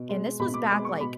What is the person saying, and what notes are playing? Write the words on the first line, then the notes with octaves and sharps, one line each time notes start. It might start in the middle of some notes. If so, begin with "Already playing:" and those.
and this was back, like,
Already playing: B2
G#3
B2 B5
D6
G#3 D6
C#6
B2 B5